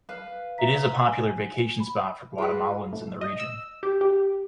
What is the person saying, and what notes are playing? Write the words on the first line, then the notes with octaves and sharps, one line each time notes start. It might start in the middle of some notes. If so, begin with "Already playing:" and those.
It is a popular vacation spot for Guatemalans in the region.
B4 F5
E5 A#5 B6
G#5
B5
F4 F#4 G#4 B4
A2
D#5
E6
G4
G4